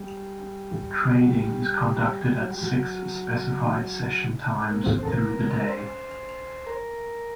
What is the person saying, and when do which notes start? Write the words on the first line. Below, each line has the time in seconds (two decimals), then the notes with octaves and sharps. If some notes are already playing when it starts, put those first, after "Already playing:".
Trading is conducted at six specified session times through the day.
Already playing: G3
1.17 F#3
1.28 G3
2.26 G3
2.39 F#3
2.50 G3
2.63 F#3
2.75 F#3
3.63 D#3
3.73 F#3
4.71 A#3
4.83 C4
4.96 C4
5.03 A4
5.07 A#4
5.69 C5
6.67 A#4